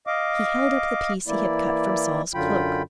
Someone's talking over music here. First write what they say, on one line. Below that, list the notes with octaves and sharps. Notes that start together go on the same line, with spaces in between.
He held up the piece he had cut from Saul's cloak.
D#5 F5 D6
E3 A#3 E4 D5
F#2 D3 F#3 F4 G5 B5